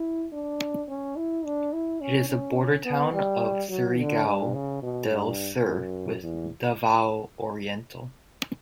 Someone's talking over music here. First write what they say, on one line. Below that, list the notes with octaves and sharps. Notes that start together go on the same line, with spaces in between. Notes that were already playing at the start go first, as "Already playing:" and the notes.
It is a border town of Surigao del Sur with Davao Oriental.
Already playing: E4
D4
C#4
E4
D4
E4
C#4
C#4
B3
G3
F#3
D3
G2
C#3
B2
G2
F#2
E2